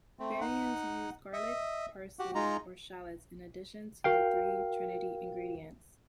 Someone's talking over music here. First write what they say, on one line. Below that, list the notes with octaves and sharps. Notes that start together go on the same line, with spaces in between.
Variants use garlic, parsley, or shallots in addition to the three trinity ingredients.
A3 C4
D#4 F#5
D#5 E5
F#4 G4 F#5
G#3 D#4 F4 A#5
F#4 A#4 F5 G5